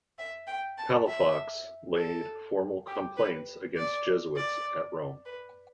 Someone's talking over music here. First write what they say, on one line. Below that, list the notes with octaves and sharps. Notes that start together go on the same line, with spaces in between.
Palafox laid formal complaints against Jesuits at Rome.
E5
G5
A5
E5
A4
G4
B4
D5
D5
B4